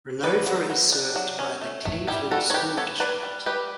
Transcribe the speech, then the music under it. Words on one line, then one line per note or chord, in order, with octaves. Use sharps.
Renova is served by the Cleveland School District.
F#3 B4 D5
F#3
F#3
D4
F#3
C#4
A3
A3
G3 E4 G4
G3 F#4 A4
C#5
G3 G4 B4
B3 A4 C#5
G3 B4 D5
G3
G3 G4 B4